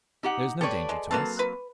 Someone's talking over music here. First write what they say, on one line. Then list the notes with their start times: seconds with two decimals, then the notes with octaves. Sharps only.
There is no danger to us.
0.23 D#4 G4 F#5
0.61 G4 A4 B4 C#5 D5
0.89 G#3
1.11 F#3 A#3 C4 A4 B4 A5
1.39 B4